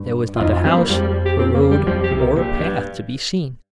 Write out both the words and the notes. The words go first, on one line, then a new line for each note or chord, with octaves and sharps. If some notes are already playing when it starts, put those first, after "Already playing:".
There was not a house, a road, or a path to be seen.
Already playing: G2
F4
F2 D#4
F4
G2 G3 C4
A#3
F2 F3 G3
G3
G4
C4
A#3
G3
F2 F3 G3
G4
C2 C3
A#4
A#1 A#2 G4
G2